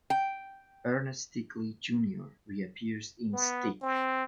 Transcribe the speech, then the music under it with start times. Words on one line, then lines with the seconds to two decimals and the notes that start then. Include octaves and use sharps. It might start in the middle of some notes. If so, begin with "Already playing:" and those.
Ernest Stickley, Junior reappears in "Stick".
0.10 G5
3.34 B3
3.82 C4